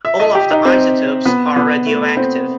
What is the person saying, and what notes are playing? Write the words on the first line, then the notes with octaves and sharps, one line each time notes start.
All of the isotopes are radioactive.
E5
D#5
G4
D#4
C4
B3
B3
A3
C4